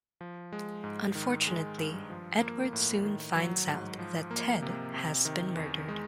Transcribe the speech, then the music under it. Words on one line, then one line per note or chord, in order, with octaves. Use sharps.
Unfortunately, Edward soon finds out that Ted has been murdered.
F3
G#3
G#2
D#3
G#3
G2
F3
A#3
A2
D#3
F#3
G#2
F3
A#3
C3
C3
D#3
E2
G#3